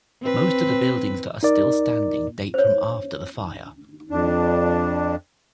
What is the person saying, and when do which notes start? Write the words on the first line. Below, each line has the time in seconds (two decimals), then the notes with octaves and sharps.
Most of the buildings that are still standing date from after the fire.
0.22 C4 B4
1.43 D#4 A#4 D5
2.54 C5 C#5
4.11 F2 D4